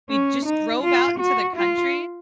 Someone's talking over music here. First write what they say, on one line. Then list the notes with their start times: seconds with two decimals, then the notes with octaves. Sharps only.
we just drove out into the country,
0.09 C#4
0.46 D#4
0.83 F4
1.19 F#4
1.56 F4